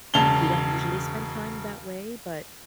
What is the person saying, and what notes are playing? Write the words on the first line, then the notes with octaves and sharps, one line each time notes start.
we don't usually spend time that way, but
E1 C#3 A5 F7 G7